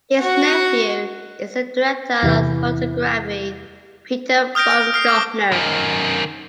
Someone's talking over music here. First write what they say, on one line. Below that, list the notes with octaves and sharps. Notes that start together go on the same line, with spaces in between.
His nephew is the director of photography Peter Baumgartner.
F#4 F#5
E2 C3 E3
D#6 F6 G6 A#6 D7
D7
F6 C7
D6 G7
F#2 D#3